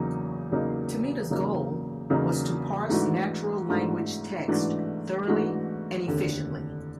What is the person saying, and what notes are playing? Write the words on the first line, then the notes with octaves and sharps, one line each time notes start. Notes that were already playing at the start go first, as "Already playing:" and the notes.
Tomita's goal was to parse natural language text thoroughly and efficiently.
Already playing: E2 C#3 F#3 A#3 D#4
E2 C#3 F#3 A#3 D#4
E2 C#3 F#3 A#3 D#4
E2 C#3 F#3 A#3 D#4
G#2 E3 A3 D4 F#4
G#2 E3 A3 D4 F#4
G#2 E3 A3 D4 F#4
G#2 E3 A3 D4 F#4
F1 D#2 D3